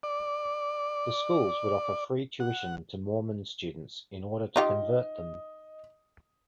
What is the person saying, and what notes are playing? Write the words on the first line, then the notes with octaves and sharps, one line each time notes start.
The schools would offer free tuition to Mormon students in order to convert them.
D5
F#5
D#4 F4 G4 D#5